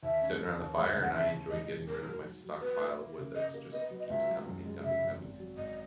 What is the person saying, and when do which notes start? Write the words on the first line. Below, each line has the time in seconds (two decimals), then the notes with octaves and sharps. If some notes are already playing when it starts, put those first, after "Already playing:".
sitting around the fire and I enjoy getting rid of my stockpile of wood that s just keeps coming and coming coming
0.03 D#2 E5
0.21 C#4
0.40 C#4
0.59 D#2
0.77 G#3 C#5
0.90 E5
0.95 C#3
1.02 F#5
1.14 E3 E5
1.32 C#3
1.51 E1 D#5
1.69 E1
1.88 D#3 A#4
2.06 F#3
2.26 F#3
2.44 F#3
2.61 B3 B4
2.80 E4
2.99 A#3
3.18 C#3
3.35 A#3 D#5
3.54 A#3
3.73 B3 D#5
3.91 F#3
3.99 D#5
4.10 C#2 E5
4.28 F#3
4.47 F#2
4.65 G#3
4.83 C#3 E5
5.02 F#2
5.21 G#1
5.39 F#3
5.58 G#1 D#5